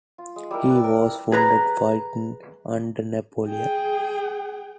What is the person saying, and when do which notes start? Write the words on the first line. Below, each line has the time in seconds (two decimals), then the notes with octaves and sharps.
He was wounded fighting under Napoleon.
0.18 F4
0.36 G#3
0.51 G3 E4 A#4
0.71 B4
0.84 A#4
1.32 G#4 B4 A#5
3.46 G#4 G5